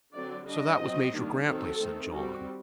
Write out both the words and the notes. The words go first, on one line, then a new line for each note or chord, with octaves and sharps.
"So that was Major Grantly?" said John.
D3 F#3 C4 D5
G3 D4 D#5
F#3 C4
D#3 G3 A#3 D4
D#3 F#3 C4 A4
D#3 A3 C4
G3 C4 F#4